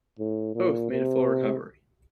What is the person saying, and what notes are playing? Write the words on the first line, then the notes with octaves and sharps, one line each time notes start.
Both made a full recovery.
A2
A#2
C3